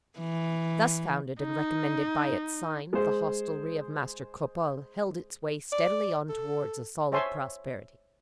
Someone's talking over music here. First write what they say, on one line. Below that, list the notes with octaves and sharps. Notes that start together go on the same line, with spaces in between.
Thus founded and recommended by its sign, the hostelry of Master Cropole held its way steadily on towards a solid prosperity.
E3
D#4
G#3 C5
D5
A4
C5 C#5 E5 G#5 A5 C6